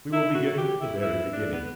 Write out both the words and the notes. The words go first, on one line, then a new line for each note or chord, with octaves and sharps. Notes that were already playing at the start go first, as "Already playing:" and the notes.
We will begin at the very beginning.
E4
F#4
G4
E4
E4
D4
B3